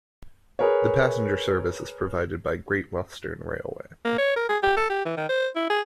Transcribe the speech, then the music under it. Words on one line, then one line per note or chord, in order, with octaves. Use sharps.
The passenger service is provided by Great Western Railway.
G#4 A#4 B4 C#5
A#3
C#5
A#4
G#4
G4
A4
G4
E3
D#3
C5
E4
G#4